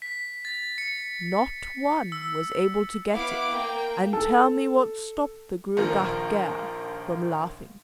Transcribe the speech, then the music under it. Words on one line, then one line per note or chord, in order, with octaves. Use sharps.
Not one was able to get it and tell me what stopped the Gruagach Gaire from laughing.
B6
A6
C#7
E6
B3 E4 F5 D6
A#3 G5
A4
A#1 D#2 F3 A#4